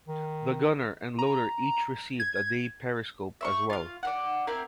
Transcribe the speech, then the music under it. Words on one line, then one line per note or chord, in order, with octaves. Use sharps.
The gunner and loader each received a day periscope as well.
D#3
A#5
G#6
E5 C6 C#6
F4 F5
D5 F5 F#5
C4 E4 A#4 F5